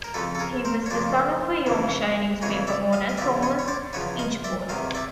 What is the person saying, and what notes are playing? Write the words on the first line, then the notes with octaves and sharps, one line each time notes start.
He was the son of a Yorkshire newspaper owner, Thomas Inchbold.
A#4
F2 C#3 F3 A4 B4
A4
G#4 A#4
A#4 C5
C#5
F2 C#3 F3 C5 D5
F2 C#3 E3
F2 C#3 E3 C#5 D#5
D5 E5
D#5 F5
D#5
E2 C#3 F3 D5 E5
C#5 D#5
C#5
C5 D5
E2 C#3 F3 B4 C#5
D#5 F5
D5 E5
E2 C3 D#3 D#5 F5
D5 E5